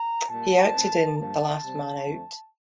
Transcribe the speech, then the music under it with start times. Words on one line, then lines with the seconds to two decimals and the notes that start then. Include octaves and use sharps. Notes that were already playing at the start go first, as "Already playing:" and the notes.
He acted in "The Last Man Out".
Already playing: A#5
0.29 A#2 G3 A#3 A5
0.73 A2 F3 C4
1.17 G2 F3 A#3 A5
1.61 C3 G3 C4
2.06 F2 D3 A3 C4